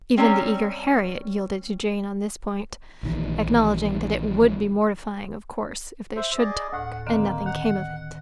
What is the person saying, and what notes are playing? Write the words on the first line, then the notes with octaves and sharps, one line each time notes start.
Even the eager Harriet yielded to Jane on this point, acknowledging that it WOULD be mortifying, of course, if they SHOULD talk, and nothing came of it.
G3 C4 C#4 C#5 D5 A#5
A#1 D#3 E3
C5 E5
G#4 D5 D#5
D2 A2 F#5
D3 D#3 A#3 C4
D#3 F#5